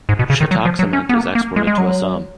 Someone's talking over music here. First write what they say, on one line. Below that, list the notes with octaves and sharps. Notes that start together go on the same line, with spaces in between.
Chhatak Cement is exported to Assam.
G#2
B2
C#3
D#3
F#3
F3
F#3
C#4
B3
A#3
A#3
G#3
G#3
F#3